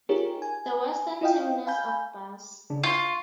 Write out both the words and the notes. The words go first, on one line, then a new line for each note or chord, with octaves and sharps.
The western terminus of Bus.
D#4 F4 G4 G#4 A#4 C#5
G#5
E4 F4 D#5 F5 G5
F5 G#5 B5 G6
C#3 D4
F4 C6 C#6